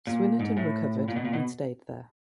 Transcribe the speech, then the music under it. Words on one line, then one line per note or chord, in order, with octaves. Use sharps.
Swinnerton recovered, and stayed there.
A#2
G#2
A2
A#2
B2
A#2
B2